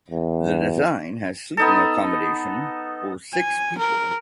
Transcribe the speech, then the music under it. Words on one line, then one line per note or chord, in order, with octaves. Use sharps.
The design has sleeping accommodation for six people.
E2
B3 D#4 A4
G#5
A#4